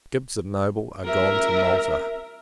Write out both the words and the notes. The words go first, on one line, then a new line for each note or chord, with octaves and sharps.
Gibbs and Noble are gone to Malta.
A#4 E5